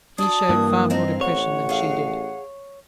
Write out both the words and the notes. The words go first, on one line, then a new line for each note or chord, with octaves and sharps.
He showed far more depression than she did.
D4 F#4 D#6
G2 E3 A#3
C4 A#4 D#5 F5
A1 C#5 F#5
G#4 F5